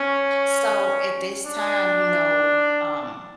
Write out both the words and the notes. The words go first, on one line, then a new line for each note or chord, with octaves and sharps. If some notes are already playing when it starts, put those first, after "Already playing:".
So, at this time, you know, um,
Already playing: C#4
D4